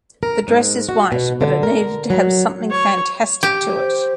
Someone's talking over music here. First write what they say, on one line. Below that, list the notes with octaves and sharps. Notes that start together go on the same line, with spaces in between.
The dress is white but it needed to have something fantastic to it.
A#4
G#2
F#4
B2
D3
A#4
F#3
C#5
G4
C5